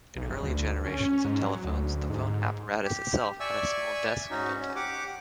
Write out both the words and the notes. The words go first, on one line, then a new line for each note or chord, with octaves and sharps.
In early generations of telephones the phone apparatus itself had a small desk built-in.
B1
G1
D2
C#4
G#2
F#3
D2
G#2
G4
D5 E5 G#5 C#6 E6
G#2 C#4 D#4 F#4
C#4
G4 F#5 D6